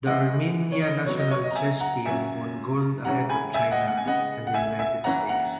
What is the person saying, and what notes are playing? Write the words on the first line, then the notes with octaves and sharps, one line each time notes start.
The Armenia national chess team won gold ahead of China and the United States.
C#3 E3 G#3 B3 D#5 F#5
C#5
D#5
B2 F#3 B3 C#5
D#5
C#5
D#5
A#5
E5 G#5
F#5 A#5
F#2 C#3 F#3 A#3 C#4 E5 G#5
C#3 E3 G#3 C#4 F#5 A#5
G#5 B5
E5 G#5
D#5 F#5
F#5
G#5
C#3 G#3 B3 D#5 F#5
F#5
E5 G#5
E5 G#5
F#2 E3 A#3 C#4 F#5 A#5
F#5 A#5